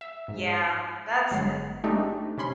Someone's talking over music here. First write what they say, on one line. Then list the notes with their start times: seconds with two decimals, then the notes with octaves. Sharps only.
Yeah. That's e
0.01 E5
0.28 G#2
1.31 G1 F#3 G#3 C7
1.84 G#3 A3 C4 D4 D#4 G4
2.38 C3 C#4 B5 C6